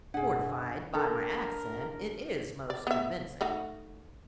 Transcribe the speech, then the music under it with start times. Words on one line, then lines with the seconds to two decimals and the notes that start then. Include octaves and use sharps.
Fortified by my accent, it is most convincing.
0.14 F#2 B2 D4 G#4 F#5
0.94 D4 A4 A#4
2.70 D5
2.87 B3 E5
3.41 A3 D#4 F#4